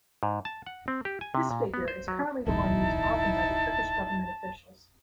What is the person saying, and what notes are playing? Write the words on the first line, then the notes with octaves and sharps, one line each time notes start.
This figure is currently the one used often by the Turkish government officials.
G#2
A5
F#5
C4
G4
G#5
C3
A#2
B3
C5
F#3
D1 B1 E2 D#4 E4 A5